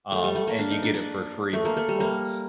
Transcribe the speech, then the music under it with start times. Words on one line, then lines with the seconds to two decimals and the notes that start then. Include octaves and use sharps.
um, and you get it for free with the points.
0.12 A3
0.24 G3
0.35 A3
0.48 A#3
0.59 D4
0.71 D#4
0.82 D4
0.94 D4
1.53 A3
1.65 A#3
1.77 A3
1.89 G3
2.00 A#3